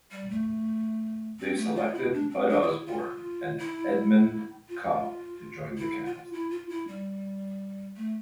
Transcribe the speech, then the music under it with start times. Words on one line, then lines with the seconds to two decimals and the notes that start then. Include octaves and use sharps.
They selected Bud Osborne and Edmund Cobb to join the cast.
0.11 G3
0.30 A3
1.39 C4
1.57 A3
1.76 F4
1.94 E4
2.13 D4
2.30 C4
2.49 D4
2.62 F4
2.68 E4
2.86 F4
3.58 E4
4.69 F4
5.77 E4
6.05 F4
6.33 E4
6.50 F4
6.69 E4
6.87 G3
7.96 A3